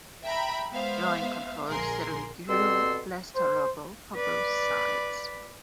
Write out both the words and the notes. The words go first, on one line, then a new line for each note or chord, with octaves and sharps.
Joint control steadily grew less tolerable for both sides.
E5 G5 A#5 B5
G#3 B3 C5 E5 F5
A#1 D3 G#4 A#4 C6
B2 G3 C4 A4 C6 E6
C5
B4 D5